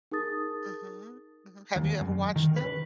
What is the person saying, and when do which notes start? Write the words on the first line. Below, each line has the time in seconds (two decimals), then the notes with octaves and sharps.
Mhm. Mhm have you ever watched them?
0.12 D#4 G#4 A#4 A5 D#6 A6
1.76 D#2
2.01 F#2
2.36 D#3
2.56 B4